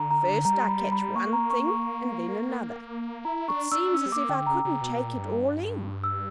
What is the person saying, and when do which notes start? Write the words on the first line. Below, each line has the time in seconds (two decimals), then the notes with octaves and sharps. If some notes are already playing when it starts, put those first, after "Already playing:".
First I catch one thing and then another; it seems as if I couldn't take it all in.
Already playing: D3 A#5
0.11 A#5
0.45 G3 A#5
0.68 B5
0.92 B5
1.15 A#3 C#6
1.33 A#5
1.50 C#6
1.68 C#6
3.25 E4 A#5
3.48 D4 C#6
3.72 D4 E6
3.94 C#4 E6
4.06 G3
4.12 A#3 D6
4.29 D3 G5
4.47 C#3 A#5
4.65 C#3
4.81 B2
5.00 A#2
5.16 G2
6.04 E6